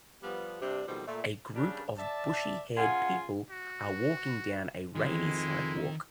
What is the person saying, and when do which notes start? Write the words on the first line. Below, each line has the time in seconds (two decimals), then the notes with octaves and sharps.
A group of bushy haired people are walking down a rainy sidewalk.
0.23 F3 G3 B3
0.62 G2 C3 D4
0.88 B2 D#3 F3 G3 G#3 C4
1.07 A#2 A3
1.56 C#3 G3 D4
1.98 D5 E5 A5
2.77 C#3 F4 F#5 G#5
3.50 F#4
4.96 F2 D#3 G#3 E4